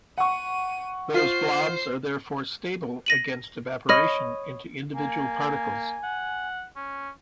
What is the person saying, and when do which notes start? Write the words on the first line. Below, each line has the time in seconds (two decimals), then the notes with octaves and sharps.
Those blobs are therefore stable against evaporation into individual particles.
0.18 F#5 C#6 D#7
1.14 F4 C5 C7
3.06 A#6 D#7 F#7
3.89 C#5 D#5 B5 F6 A#6
4.95 A#3 G#5
6.03 F#5
6.76 C#4